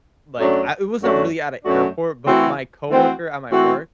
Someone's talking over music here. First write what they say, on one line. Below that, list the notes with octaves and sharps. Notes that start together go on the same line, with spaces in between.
like I it wasn't really at a airport, but my coworker at my work
F#2 F#3 A3 D4 F#4
F#2 F#3 A3 D4 F#4
F#2 F#3 A3 D4 F#4
E3 A3 C4 F#4
E3 A3 C4 F#4
E3 A3 C4 F#4